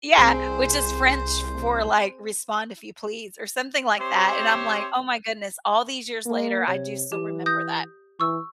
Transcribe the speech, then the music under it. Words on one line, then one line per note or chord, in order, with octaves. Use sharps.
Yeah, which is French for, like, "Respond if you please," or something like that. And I'm like, "Oh, my goodness, all these years later, I do still remember that."
C2 C4 G#4 C5
C4 G4 C5 C#5 E5
A#3
C3 C#5
E3 G4
D#6 G6 A#6
E3 C#6 E6